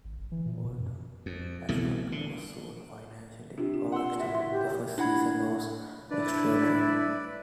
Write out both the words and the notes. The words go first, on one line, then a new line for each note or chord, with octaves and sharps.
Although Astruc was soon financially overextended, the first season was extraordinary.
G#1
G1
E3
A#2
B2
F#2
F2
C2 B2 E3 A3
D3
C3 D4 F4 G4
F4
F#5 C6 E6
A2 E4 F#4 E5
C6
G4
D4 E4 F#5 B5 G#6
D4 E4 B4 D5